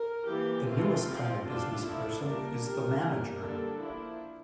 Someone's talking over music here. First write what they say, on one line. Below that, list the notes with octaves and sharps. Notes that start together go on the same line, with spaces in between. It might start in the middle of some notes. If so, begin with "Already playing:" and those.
The newest kind of businessperson is the manager.
Already playing: A#4
E3 G3 A#3 G4
E3 A3 C4 F4
F3 C4
D3 G3 D4 F4
F3 A3 D4 E4
G3 A#3 D4 A#4
G3 D4
G3 A#3 D4
D3 G3 A#3 D4 A4
F3 A#3 D4 E4